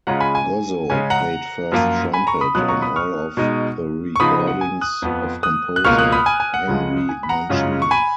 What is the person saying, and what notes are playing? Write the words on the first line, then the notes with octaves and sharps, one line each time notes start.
Gozzo played first trumpet on all of the recordings of composer Henry Mancini.
C#3 G#3 C#4 F4 F#5 A#5
G#5 B5
G#5
C#3 G#3 C#4 G#5
F#5 A#5
F#2 F3 A#3 F4
G#5 B5
A#5 C#6
B5 D#6
B2 F#3 C#4 F4 D#6 F#6
A#5 C#6
B5 D#6
C#6 F6
B2 G#3 D#4
C#6
C#3 F3 B3 D#4 B5 D#6
F#5
G#5
D#6 F#6
F2 F3 B3 F4
D#6 F#6
F#6
C#2 B2 A#3 F4 C#6 F6
D#6 F#6
B5 D#6
G#5
G#5
F#5
C#2 C#3 F3 G#3
G#5
B5
F#5 A#5
F#2 C#3 G#3 C#4 F4
C#6
G#5 B5